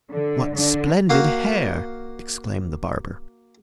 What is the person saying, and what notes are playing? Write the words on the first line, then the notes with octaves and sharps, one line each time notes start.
"What splendid hair!" exclaimed the barber.
D3
D3
A#3 F#4 F5 D#6